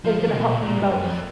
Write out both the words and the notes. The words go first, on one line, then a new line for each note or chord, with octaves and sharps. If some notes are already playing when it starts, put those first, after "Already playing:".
is gonna help me most
F3
F3
B2
A#2
A#2
G2
F#2
F2